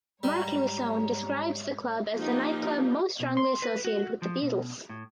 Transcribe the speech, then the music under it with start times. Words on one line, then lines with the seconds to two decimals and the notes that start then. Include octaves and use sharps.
Mark Lewisohn describes the club as the nightclub "most strongly associated with The Beatles".
0.23 G#2 G3 C#5 A#5
2.15 F3 A#3 D#4 G4
3.20 B2
3.37 C6
3.62 B4
3.85 F#4
4.22 F3
4.42 B2
4.89 A2